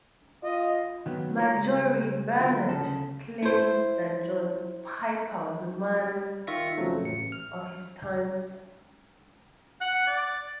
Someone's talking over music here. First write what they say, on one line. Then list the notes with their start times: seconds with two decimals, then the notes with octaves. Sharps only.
Marjorie Barnard claims that John Piper was a man of his times.
0.43 F4 D#5
1.06 D#3 F#3 B3
1.38 F4 A#4 C#5
1.56 C#3 G3 G#3
2.39 D3 F#3 B3 F4 F#4 A#4
2.69 D2 C#3 A4
3.42 E4 C5
5.95 G3
6.47 D#3 F4 E5 C#6 A#6 C#7
6.77 F2 C#3 F3 F#3 A3
7.01 A1 C#7
7.32 F6
9.81 F#5
10.07 D5